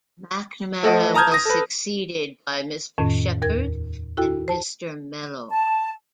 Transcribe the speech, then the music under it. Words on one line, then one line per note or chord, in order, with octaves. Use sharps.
McNamara was succeeded by Mr Shepherd and Mr Mellor.
F3 A3 A4 D#5 F#5
A5 A#5 D#6 F6 G6 G#6
D#6 A#6
A4 B4
F2 A2 D#3 C#4
D#2 A#4 G#6
E4 F#4 A4 G5
C5 A5
A5